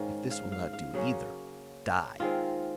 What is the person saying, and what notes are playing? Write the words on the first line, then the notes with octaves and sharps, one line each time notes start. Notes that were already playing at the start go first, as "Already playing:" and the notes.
If this will not do either, die!
Already playing: G#2 D#3 G#3 C#4 F5
F5
F5
F5
C#3 F#3 A#3 C#4
D#3 G#3 C4 F4